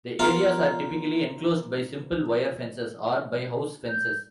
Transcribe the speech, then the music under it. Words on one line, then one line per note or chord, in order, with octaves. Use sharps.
The areas are typically enclosed by simple wire fences, or by house fences.
B3 F4 A#4
G6